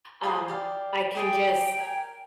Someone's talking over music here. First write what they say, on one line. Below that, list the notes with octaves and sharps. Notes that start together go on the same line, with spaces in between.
um, I can just
F4 G#4 C5
G4 D5 F5
G4 G#4 D5 G5
A#4 G#5